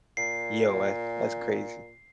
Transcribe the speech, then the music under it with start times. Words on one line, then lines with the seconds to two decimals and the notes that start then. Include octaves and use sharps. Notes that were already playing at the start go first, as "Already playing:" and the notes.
yo, that's that's crazy.
0.17 A#2 C7